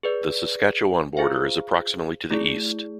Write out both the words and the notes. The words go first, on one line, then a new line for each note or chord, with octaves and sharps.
The Saskatchewan border is approximately to the east.
G#4 B4 D5
F4 G#4 C5 F5
A3 E4 G#4 D5